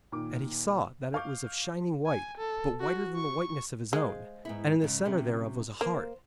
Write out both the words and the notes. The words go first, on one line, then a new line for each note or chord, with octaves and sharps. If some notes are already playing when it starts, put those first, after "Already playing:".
And he saw that it was of shining white, but whiter than the whiteness of his own, and in the centre thereof was a heart.
A#2 D#3 D6
F5 C#6 D6 G6
G#5
A4
F#4
C#6
G#3 G#4 C5 F5
G#2 B3 E4
G#2 C#3
C3 F#3 C#4
A#3 C5